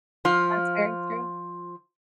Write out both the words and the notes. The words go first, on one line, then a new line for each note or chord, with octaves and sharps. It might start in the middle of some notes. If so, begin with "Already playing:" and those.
That's very true.
F3 F4